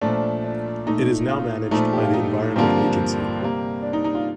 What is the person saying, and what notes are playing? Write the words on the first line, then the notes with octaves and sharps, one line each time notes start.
It is now managed by the Environment Agency.
A#2 F3 A3 D4
D4
A#2 A3 D#4
F4
A#2 F3 A3 D#4
G4
F4
D#4
G2 D3 F3 A#3 C4
C3 G3 A#3
D4
D#4
D#4
F4